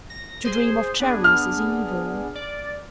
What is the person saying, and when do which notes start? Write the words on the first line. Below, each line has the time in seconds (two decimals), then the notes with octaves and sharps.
To dream of cherries is evil.
0.10 A#6
0.45 G#4 C5
1.00 B3 D4 G#4
1.24 F6
2.35 D5